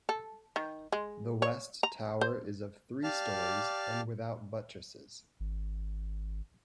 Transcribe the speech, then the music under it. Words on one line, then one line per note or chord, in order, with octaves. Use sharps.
The west tower is of three storeys and without buttresses.
A4
D#3
G#3
C#5
A#5
C5
G4 D5 F5 A5 F6
G#1